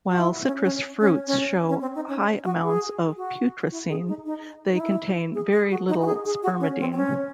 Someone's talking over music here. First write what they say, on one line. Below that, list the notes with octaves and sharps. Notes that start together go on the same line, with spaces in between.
While citrus fruits show high amounts of putrescine, they contain very little spermidine.
F#4
E4
C#4
C#4
C#4
C#4
C#4
C4
D#4
C#4
F#4
G#4
F#4
E4
G#4
D#4
D#4
D#4
E4
G#4
G#4
F#4
D#4
F#4
G#4
G#4
F#4
C#4
C4
C4
C#4